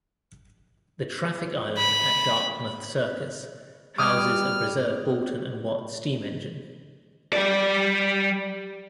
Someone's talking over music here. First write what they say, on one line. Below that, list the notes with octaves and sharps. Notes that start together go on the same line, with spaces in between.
The traffic island at Dartmouth Circus houses a preserved Boulton and Watt steam engine.
B5
G3 D6 D#6 F6 G#6
G3 D5